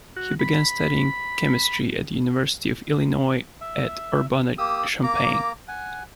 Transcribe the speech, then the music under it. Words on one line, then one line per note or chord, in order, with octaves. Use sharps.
He began studying chemistry at the University of Illinois at Urbana-Champaign.
F#4
B5
E5
A#3 G4 D#6 E6
A#3 A#5 D6
F#5 G#5